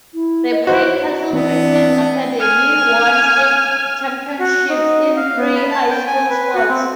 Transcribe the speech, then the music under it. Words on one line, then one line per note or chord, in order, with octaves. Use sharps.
The Pine Castle Christian Academy won state championships in three high school sports.
E4
D#5
F#4 B4 C5
C#5
E3 B3 C4 D4
G#5 F6
F#4
D#4
F5
B3
B5
A5
G5
G#5
B4
F#4
C4